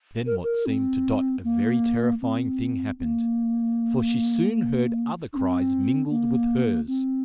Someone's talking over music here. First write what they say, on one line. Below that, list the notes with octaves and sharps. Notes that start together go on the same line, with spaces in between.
Then what seemed to Dot a very terrifying thing happened; for she soon heard other cries mingle with hers.
A#4
A#4
C4
A#3
C4
C4
A#3
D4
C4
A#3
C4